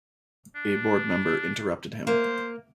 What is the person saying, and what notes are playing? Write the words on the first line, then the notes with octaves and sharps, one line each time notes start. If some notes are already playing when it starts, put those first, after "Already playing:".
A board member interrupted him.
D4
A#3 C5